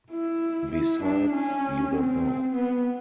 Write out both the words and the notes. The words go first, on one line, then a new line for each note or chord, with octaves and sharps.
Besides, you don't know.
E4
E4
D4
C#4
C4
B3